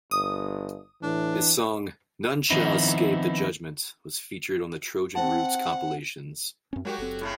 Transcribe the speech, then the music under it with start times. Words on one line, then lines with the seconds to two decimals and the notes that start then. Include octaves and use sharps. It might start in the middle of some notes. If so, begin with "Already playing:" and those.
His song "None Shall Escape the Judgement" was featured on the Trojan roots compilations.
0.11 G1 D#6
1.03 A2 E3 D4
2.50 D#3 F3 B3 C4 D#4 E4
5.15 C4 F#5 A5
6.73 F#2 C4 C#4
6.85 F#3 G#3 F#4 G4 A#4
6.98 F#1 C4 A4
7.21 A2 C#3 A3